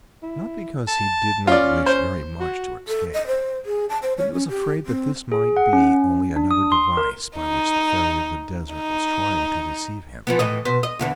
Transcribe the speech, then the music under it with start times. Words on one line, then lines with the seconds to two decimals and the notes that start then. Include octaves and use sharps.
Not because he did not wish very much to escape, but he was afraid that this might be only another device by which the Fairy of the Desert was trying to deceive him.
0.23 E4
0.88 A5
1.47 C#4 F4 D5
1.86 C5
2.40 F#4
2.88 A4
3.14 D#5
3.27 C5
3.65 G#4
3.89 A5
4.02 C5
4.18 C#5
4.33 C#4
4.49 G4
4.86 C4
5.32 G#4
5.57 F#5
5.73 C#4
6.36 D4
6.51 D#6
6.72 C6
6.97 A#4
7.36 D#4
8.74 D#4
10.27 E3 F3 B3
10.39 A2 E3 D#5
10.65 B2 B4 C5
10.83 D#5
10.99 E2 D3 E3